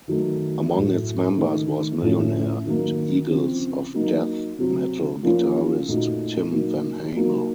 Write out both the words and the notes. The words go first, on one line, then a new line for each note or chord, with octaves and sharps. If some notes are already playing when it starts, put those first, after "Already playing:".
Among its members was Millionaire and Eagles of Death Metal guitarist Tim Vanhamel.
D#3 F#3 A3
A2 F#3 A3
D#3 A3 D#4
A2 F3 A3 C#4
D#3 F#3 A#3
C#3 F3 C4
F#3 A#3 D#4
C3 F#3 C4 F#4
F3 A#3 C#4 F4
A#2 A3 D#4 F#4
F#3 A#3 D#4
F#3 A#3 D#4 F#4